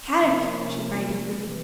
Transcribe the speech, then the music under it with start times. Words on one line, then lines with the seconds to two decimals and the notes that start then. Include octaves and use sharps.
"Kadok!" she cried eagerly.
0.17 C3 F3 A#3 C#4
1.32 C3 E3